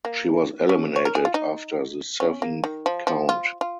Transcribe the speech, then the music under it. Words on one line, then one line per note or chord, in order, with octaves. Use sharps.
She was eliminated after the seventh count.
A#3
C#4
C#5
A#4
G#4
F4
D#4
C#4
A#3
D#3
F3
F3
F4
F4